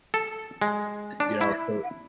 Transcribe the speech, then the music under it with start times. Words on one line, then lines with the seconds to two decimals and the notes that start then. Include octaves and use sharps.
you know? So
0.14 A4
0.62 G#3
1.20 D4
1.41 E4